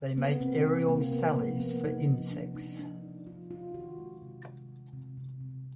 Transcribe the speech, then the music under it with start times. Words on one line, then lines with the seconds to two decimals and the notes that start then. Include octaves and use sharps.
They make aerial sallies for insects.
0.17 A#3 B3
0.40 C3 C4
0.64 A#3
0.88 C3 A#3
1.12 C3 B3
1.36 F3 A#3
1.60 C3 B3
1.83 C3 D#4
2.07 F3
2.31 A#3 D4
2.55 F3 D#4
2.79 F3 D4
3.03 C3
3.26 F3 F4
3.51 C3 F4
3.74 D#3 F#4
3.98 G#3
4.22 C3
4.46 D#3
4.69 C3
4.93 C3
5.17 C3
5.40 C3